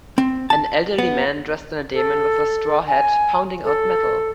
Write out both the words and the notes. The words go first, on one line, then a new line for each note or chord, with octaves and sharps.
An elderly man dressed in denim with a straw hat, pounding out metal.
C4
A5
B3
A4
G#5
A4